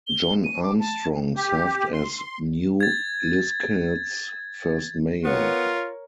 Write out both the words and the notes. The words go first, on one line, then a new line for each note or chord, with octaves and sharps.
John Armstrong served as New Liskeard's first mayor.
G7
D#7
D6
A5
G4
C6
G#6 A6
B3 F4 A#4 C#5